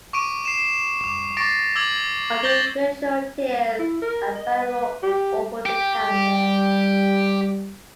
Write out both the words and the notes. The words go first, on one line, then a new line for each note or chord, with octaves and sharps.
Artificial tears are available over-the-counter.
C#6 D6 D7 D#7
C7 E7
D6
C#6 D6 A6 A#6 C7 D7
D6 E6 G#6 F#7
D6 G6 A6 A#6 F#7 G7
E4
A#4
D#5
B4
G4
G4
G3